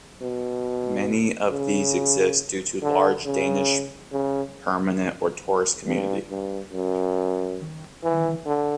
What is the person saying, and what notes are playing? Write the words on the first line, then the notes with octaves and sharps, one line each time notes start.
Many of these exist due to large Danish permanent or tourist community.
B2
C#3
D3
C#3
C#3
G2
G2
F#2
E3
D3